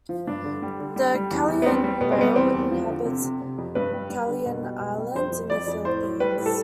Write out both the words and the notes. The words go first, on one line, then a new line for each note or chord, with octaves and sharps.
The Calayan rail, inhabits Calayan Island in the Philippines.
F3
G2 D4
D3
G3
D3
G3
G3
E2
E2
B3
G3 C4
G3
B2 B3
C4
G3 B3
E2 C4
E2
F3
D3
C3
C3
C3
F2
G2 B4
G3
G3
D3
B2
G3
B2
G3
F2 C5
F2
F2 D5
F2
A2 C5
A2
G3 B4
A2
A4